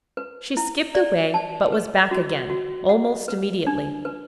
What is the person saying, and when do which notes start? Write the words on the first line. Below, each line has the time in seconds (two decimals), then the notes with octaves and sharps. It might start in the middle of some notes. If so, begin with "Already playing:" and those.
She skipped away, but was back again almost immediately.
0.17 B4
0.57 E4
0.95 D5
1.34 A5
1.72 B4
2.11 F#4
2.50 F#4
2.89 F#5
3.28 B4
3.67 D4
4.05 B4